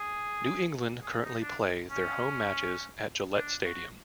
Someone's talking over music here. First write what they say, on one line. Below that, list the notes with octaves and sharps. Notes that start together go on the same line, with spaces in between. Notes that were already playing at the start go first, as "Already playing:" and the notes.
New England currently play their home matches at Gillette Stadium.
Already playing: G#4
G#4
D#4
D4
C#4
D4
F#4